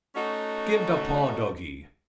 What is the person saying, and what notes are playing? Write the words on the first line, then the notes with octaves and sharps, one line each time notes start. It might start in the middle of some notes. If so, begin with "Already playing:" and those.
Give the paw, doggy!
A3 C#4 D#4 F#4